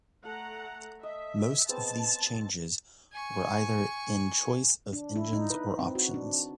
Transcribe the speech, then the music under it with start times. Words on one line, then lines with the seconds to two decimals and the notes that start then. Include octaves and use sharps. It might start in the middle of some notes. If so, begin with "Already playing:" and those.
Most of these changes were either in choice of engines or options.
0.25 A3 A4 F#5 A#5
1.03 D#5 E5
1.69 G#3 B3 C4 A5
3.13 G#5 C#6
4.93 D4
5.16 E4
5.33 D#4
5.50 B4
5.79 C4
5.95 F#4
6.14 D4